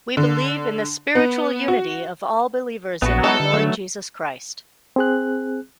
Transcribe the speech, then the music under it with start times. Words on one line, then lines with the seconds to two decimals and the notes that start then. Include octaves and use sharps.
We believe in the spiritual unity of all believers in our Lord Jesus Christ.
0.17 D3
1.15 B3
1.68 F#4
3.02 A#1 A3 B3 F#4 B4
3.24 G#3 D#4 E4 A4 B4
3.40 D3
3.53 F#3 A3
4.96 C4 G#4 F#6